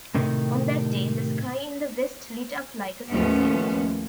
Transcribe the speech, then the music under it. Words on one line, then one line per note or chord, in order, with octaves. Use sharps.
On that day, the sky in the west lit up like a sunset.
A2 C3 D#3
D#2 A2 F3 B3 C#4